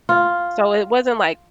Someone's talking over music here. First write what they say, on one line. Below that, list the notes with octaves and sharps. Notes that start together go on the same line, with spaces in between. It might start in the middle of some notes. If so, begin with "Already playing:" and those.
So it wasn't like
F4